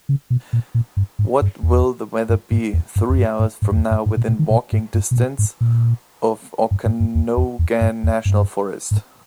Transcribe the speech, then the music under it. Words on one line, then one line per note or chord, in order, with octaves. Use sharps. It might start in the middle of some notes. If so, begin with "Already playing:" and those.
What will the weather be three hours from now within walking distance of Okanogan National Forest?
C#3
B2
A#2
A#2
G2
G#2
G2
E2
G2
G#2
E2
G2
E2
G2
G#2
G#2
G2
E2
G2
G#2
A#2
A#2
D#3
A#2
G#2
G2
B2
A#2
G#2
A#2
G2
G#2
G2
E2
E2
E2
G2
E2
G2
G#2